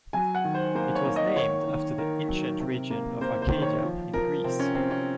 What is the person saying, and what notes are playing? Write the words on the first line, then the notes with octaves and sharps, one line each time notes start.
It was named after the ancient region of Arcadia, in Greece.
F#3 G#5
F#5
D#3
C5
A#3 C5
C#5
A#3
D#5
D#3 C#5
D#3
D#3 A#4
F#3
C3
A#3
A#3 C5
C5
D#3
C#5
F3
F3 A#4
C3 C4
C#4
C3 C4
C#4